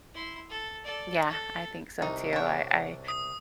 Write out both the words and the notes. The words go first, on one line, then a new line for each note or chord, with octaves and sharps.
Yeah, I think so too. I I
E4 C6
A4
A4 D5
A4
C2 D#4
D4 C#5
D#6